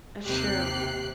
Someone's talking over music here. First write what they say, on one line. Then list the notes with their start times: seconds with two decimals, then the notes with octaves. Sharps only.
That's true.
0.24 D#2 C3 G4 F#6 C7